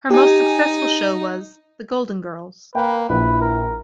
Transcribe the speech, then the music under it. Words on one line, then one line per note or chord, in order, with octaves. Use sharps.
Her most successful show was "The Golden Girls".
D#4 G4 G#5
A#3 B4 G5
A#1 E4 B4
A#4